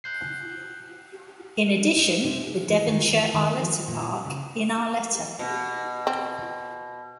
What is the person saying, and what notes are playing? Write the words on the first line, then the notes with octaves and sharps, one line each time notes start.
In addition the Devonshire Arleta Park in Arleta.
F#6 G6 C7
D#4
C3
G#4
E3
D#3
D#2
D#3
F3
A#2
C#3
B2
C4